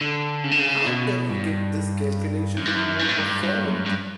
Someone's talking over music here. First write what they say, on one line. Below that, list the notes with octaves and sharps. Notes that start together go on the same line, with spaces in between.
How can we get this calculation to be more performant?
D3
C#3
D3
C#3
B2
G2
F#2
G2
F#2
G2
A2
G2
G2
F#2
G2